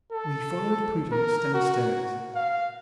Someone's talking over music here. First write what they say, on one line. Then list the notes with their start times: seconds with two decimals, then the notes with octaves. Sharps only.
We followed Prudence downstairs.
0.13 A4
1.12 A#4
1.54 F#4
2.36 F5